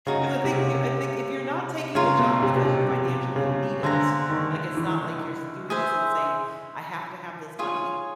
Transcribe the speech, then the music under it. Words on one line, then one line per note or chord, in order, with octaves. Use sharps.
'Cause I think you I think if you're not taking the job because you financially need it, like, it's not like you're doing this and saying, "I have to have this money"
C#3 D#4 F#4 A#4
C3
C#3
C#3 F4 A#4 C#5
B2
C3
B2
C3
C3
C#3
D3 G#4 C5 F5 A#5
D#3
E3
G#4 C5 E5
F4 G#4 C#5